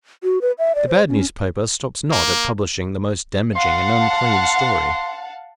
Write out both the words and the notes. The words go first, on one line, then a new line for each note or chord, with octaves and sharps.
The bad newspaper stops not at publishing the most damaging and unclean story.
F#4
B4
E5
D5
C5
C#4
A#3
F5 F#5 A5 C6